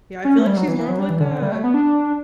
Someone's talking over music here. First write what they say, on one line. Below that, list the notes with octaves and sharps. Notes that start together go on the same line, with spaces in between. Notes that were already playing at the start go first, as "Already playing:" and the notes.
Yeah, I feel, like, she's more of, like, a
C#4
A3
G3
F#3
E3
E3
F#3
G3
E3
D3
D3
G3
A3
B3
D4